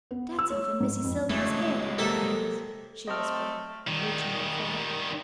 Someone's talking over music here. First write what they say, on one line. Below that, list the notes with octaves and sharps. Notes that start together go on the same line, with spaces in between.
"Dat's off'n Missy Sylvia's hair, dat ribbon is," she whispered, reaching up for it.
B3
E6
C#5
G#2
F2
E3 F#3 G#3 A3
C3 A#3 A4 E5
A3 C4 D#5 F6
D#3 G3